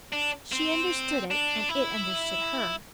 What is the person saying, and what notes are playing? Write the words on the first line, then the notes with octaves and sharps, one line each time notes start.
She understood it, and it understood her.
D4
C4
D4
E4